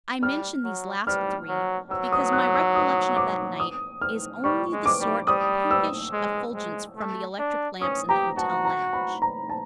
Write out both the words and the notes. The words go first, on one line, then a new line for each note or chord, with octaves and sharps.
I mention these last three because my recollection of that night is only the sort of pinkish effulgence from the electric-lamps in the hotel lounge.
G3 F6
F#3
G3 F6
F#3
F#3 E6
D#6
F#6
E6
D#6
D6
D#6
F6
G3 C#6
G#3
D6
G3
G3 D#6
E6
G#3
G#3
A3
D4
C#4 D#6
G4 A#5
F#4 A5
A#5
B5
A#5
A5